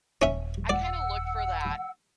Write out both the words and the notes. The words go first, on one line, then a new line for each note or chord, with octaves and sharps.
I kinda look for that
D#1 C#4 E5
D5 F#5 E6